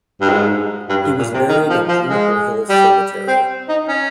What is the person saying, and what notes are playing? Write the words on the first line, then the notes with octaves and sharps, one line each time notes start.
He was buried in Juniper Hill Cemetery.
G2
G#2
G2
G2
A#2
C3
D#3
F3
F3
G#3
G3
C4
D#4
C#4